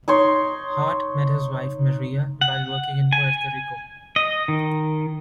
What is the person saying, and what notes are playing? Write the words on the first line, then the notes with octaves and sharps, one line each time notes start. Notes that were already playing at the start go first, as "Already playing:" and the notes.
Hart met his wife Maria while working in Puerto Rico.
D#4 C#5 C6
F#5
G#5
D#5
D#3